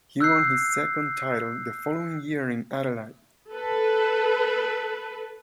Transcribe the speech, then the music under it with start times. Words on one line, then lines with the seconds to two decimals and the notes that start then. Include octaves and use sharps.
He won his second title the following year in Adelaide.
0.21 E6 F#6 G6 C7
3.52 A4 B4